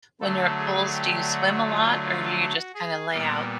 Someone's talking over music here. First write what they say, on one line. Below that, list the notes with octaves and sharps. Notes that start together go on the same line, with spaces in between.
when you're at pools, do you swim a lot, or do you just kinda lay out?
D3 F#3 A3 A4
G#4
G4
F#4
F4
F4
F#4
G#4
A#2 G3 B3 A#4